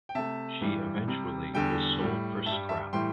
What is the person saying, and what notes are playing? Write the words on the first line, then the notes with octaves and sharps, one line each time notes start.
She eventually was sold for scrap.
G5
C3 A3 E5 A5
G2 E3 G3
C3 G3
E2 D3 G3 G5
A2 G3
G2 E5 A5
G3
E5 A5
A2 E3 G3 G5 C6